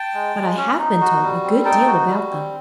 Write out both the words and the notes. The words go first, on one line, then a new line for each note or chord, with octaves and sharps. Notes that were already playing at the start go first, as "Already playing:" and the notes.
"But I have been told a good deal about them."
Already playing: G5 A5
G#3
G#3
C#4
D#4
F#4
G3
C4
D#4 G5 A5
F#4
G3
C4